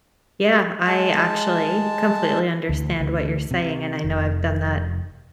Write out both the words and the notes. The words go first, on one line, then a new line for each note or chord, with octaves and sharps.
Yeah, I actually completely understand what you're saying, and I know I've done that
G#3 A5
D2
D2
C3
F1